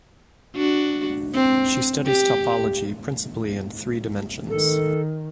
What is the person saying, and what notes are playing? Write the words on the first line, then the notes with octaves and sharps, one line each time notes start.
She studies topology principally in three dimensions.
D4 F#4
C4
G4
D#3 A4